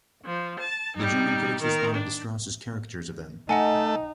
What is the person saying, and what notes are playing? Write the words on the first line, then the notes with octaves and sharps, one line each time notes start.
The German critics responded to Strauss's caricatures of them.
F3
A5
G3 D#4
D#3 A#4
D4
A3 D#4 D#5 F#5 G#5